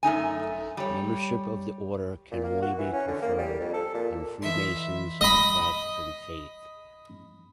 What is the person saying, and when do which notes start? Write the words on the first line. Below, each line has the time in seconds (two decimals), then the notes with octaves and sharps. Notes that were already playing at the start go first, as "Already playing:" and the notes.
Membership of the order can only be conferred on Freemasons of the Protestant faith.
0.03 F#2 A3 D#4 G#5
0.77 G3 C#5
2.31 A#2
2.43 A#3
2.62 F#4
2.78 E3
2.92 C#4
3.07 D3
3.22 A#3
3.38 G3
3.59 F2
3.73 A4
3.94 A#2
4.42 E3 D#5 E5 C6
5.21 D#5 B5